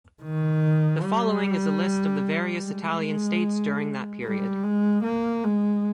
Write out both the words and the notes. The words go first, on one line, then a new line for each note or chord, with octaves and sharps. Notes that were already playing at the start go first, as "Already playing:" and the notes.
The following is a list of the various Italian states during that period.
D#3
G3
G#3
G3
G#3
A#3
G#3